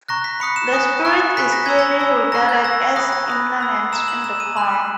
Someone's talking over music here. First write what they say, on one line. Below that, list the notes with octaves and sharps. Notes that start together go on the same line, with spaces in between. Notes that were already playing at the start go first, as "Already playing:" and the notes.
The spirit is clearly regarded as immanent in the corn.
A#5 C#6 F#6 A#6
B6
B5 D#6 F#6 C#7
E7
G#5 D#6 F#6
A#5 C#6 F#6
G#5 B5 F#6 B6
A#6
A#5 E6 G#6
A#6
B5 E6
A#5 C#6 F#6 A#6
G#6
A#5 E6 A#6
B5 D#6 F#6 A#6
A#6
B5 D#6 F#6
B5 E6
A#5 E6 E7
F#7
A#5 E6 E7
D#7
B5 F#6 F#7